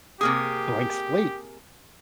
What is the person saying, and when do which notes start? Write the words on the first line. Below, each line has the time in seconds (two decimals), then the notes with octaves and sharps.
Blank slate.
0.21 C3 A#3 G4 G#4 D#6